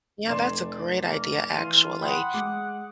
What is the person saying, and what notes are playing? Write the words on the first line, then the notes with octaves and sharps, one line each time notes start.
Yeah, that's a great idea, actually.
F1 D5 C6 D6 G#6 E7
A#3
E3 F4 C6 D#7
F#5 G5 B5 C6 D#6
G#3 D6